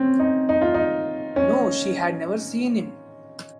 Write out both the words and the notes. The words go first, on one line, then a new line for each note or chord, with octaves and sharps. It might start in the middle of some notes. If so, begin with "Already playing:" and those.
No, she had never seen him.
Already playing: C4 C#4
D#4
D#4
F4
D#4
C#4